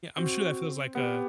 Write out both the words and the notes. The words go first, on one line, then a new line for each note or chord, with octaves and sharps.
Yeah, I'm sure that feels like, uh
C4 F#4
B3 G4